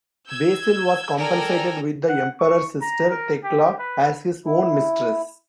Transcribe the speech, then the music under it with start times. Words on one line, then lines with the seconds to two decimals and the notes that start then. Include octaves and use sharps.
Basil was compensated with the emperor's sister Thekla as his own mistress.
0.27 E6 G6 G#6
1.17 A4 A#4 D5 G5 G#5
2.09 F#5
2.40 C#6
2.82 A#5
3.11 A#4
3.44 G4
3.78 B4
4.46 E4